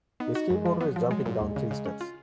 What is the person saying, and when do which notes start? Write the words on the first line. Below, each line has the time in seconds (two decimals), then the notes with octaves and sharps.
A skateboarder is jumping down three steps.
0.20 B3 D#4
0.35 F#4
0.50 F#2 G#3
0.66 F3
0.81 F#3 B3
0.96 F3
1.11 G#3
1.26 A#2
1.40 D#2 G#3
1.56 C#3
1.71 C#3
1.86 C#4
2.01 F4